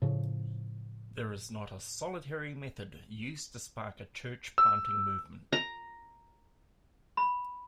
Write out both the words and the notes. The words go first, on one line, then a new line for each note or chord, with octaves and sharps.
There is not a solitary method used to spark a church planting movement.
A2 C#3 F3
E6
A#5
B5